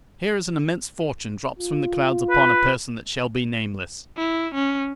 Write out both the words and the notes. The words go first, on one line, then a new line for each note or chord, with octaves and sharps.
Here is an immense fortune drops from the clouds upon a person that shall be nameless.
F4
B4
E4
C#4